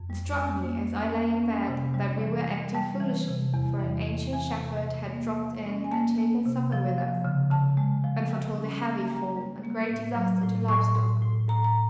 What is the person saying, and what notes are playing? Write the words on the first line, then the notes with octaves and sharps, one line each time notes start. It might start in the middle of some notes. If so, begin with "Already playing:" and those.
It struck me, as I lay in bed, that we were acting foolishly; for an ancient shepherd had dropped in and taken supper with us, and foretold a heavy fall and great disaster to live stock.
Already playing: F2
G3
C#4 G#5
A#3
C#4
A#3
C#4
C3
G3
E3
G3
G3 A5
E3
C3
E2
E3
E3
E3 G#5
C3
E3
A#3
F3
C#4
G#5
A#3 A5
A#3
C3
F3
F3
C#3
C#3 A5
G#3
F3
G3
C#4
A#3
G3 A#5
G3
A#3
A2
F#3
A2
A2 C#6
A2 C6
A2
A2 A#5
A#5